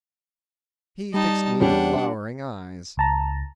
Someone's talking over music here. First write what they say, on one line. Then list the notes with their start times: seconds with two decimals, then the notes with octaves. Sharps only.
He fixed me with lowering eyes.
1.14 G3 D#4 A5
1.60 E2 C#4 D4 G4 F#5
2.97 C#2 A5 A#5